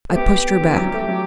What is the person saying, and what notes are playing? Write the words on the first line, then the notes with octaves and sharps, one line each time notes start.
I pushed her back.
A3
B3 G4
D3
E3
F#3
G3
A3
F#3